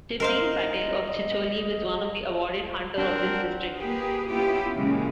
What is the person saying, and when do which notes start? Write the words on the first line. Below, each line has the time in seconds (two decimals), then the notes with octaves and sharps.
Shivdeen Patel of Chicholi Was one of the awarded Hunter of this district.
0.20 A#4 C5 D#5 F5
2.98 C4 D4 A#4 F#5
3.77 A#3 G4 G#4 B4
4.28 B3 C#4 E4 F4 G4
4.77 A#2 C#3 E3 G#3